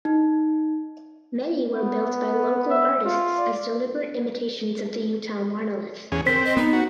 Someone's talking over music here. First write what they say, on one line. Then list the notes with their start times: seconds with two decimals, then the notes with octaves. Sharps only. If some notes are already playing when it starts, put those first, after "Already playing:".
Many were built by local artists as deliberate imitations of the Utah monolith.
0.05 D#4
1.74 B3
2.70 E5
3.06 F4 F5
3.38 D5
6.12 E2 C#4 G#4
6.26 C4 A#4 C5 B6
6.45 D#5
6.57 B3 D#4
6.73 F#4